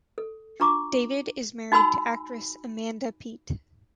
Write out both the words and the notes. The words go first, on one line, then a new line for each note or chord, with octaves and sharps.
David is married to actress Amanda Peet.
A4
D4 F4 A#5 C#6 D6
D#4 F#4 G#5 B5 E6